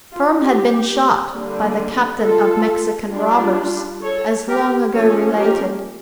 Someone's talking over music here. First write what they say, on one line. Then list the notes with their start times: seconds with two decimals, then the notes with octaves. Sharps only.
Firm had been shot by the captain of Mexican robbers, as long ago related.
0.13 F4
0.42 G4
1.33 D3 G3 A#3 D4
2.22 F4 A4
3.13 G3 D4 F4
4.03 A4 C#5
4.47 G4 A#4
4.93 F3 A#3 C#4 A4 C#5
5.38 G4 A#4